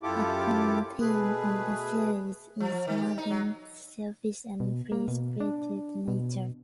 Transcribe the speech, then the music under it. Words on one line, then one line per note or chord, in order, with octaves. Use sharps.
A common theme of the series is Martin's selfish and free-spirited nature.
F#2 E4 F4 G4 A4 D6
B2 A3 G#4 B4
F3
F3
D#3
G4
D#4
F#3
B2
A#3
B2
D4
B2